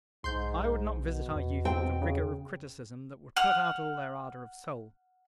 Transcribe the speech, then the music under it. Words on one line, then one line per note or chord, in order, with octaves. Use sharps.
I would not visit our youth with a rigor of criticism that would put out all their ardor of soul.
B1 G#2 C6 G6
B2
E2
C4 G5
C#3
F#5 F6